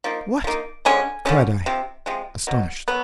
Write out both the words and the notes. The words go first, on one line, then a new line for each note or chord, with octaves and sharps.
"What?" cried I, astonished.
F3 A#3 D#4
F3 A#3 D#4
D3 F3 G#3 C#4 G#5
D3 F3 G#3 C#4
C3 F3
C3 F3 G#3
B2 F#3
F#3 B3